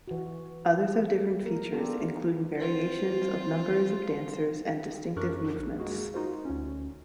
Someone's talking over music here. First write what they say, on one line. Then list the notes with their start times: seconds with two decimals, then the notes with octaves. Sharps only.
Others have different features including variations of numbers of dancers and distinctive movements.
0.08 E3 F#4
1.43 A#3 A#4
1.72 B3 D4 F4 G4 A4 A#4
2.56 C4 F4
5.16 F#2 D4 A#4 C#6 D6 F#6
5.59 A#1
5.79 G#3 A#3 F#4 G#4
6.14 D#4 F4 F#4 A#4 C5
6.45 D2 C#4